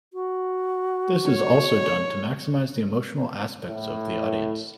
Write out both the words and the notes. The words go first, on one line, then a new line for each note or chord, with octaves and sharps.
This is also done to maximize the emotional aspects for the audience.
F#4
C#5
A2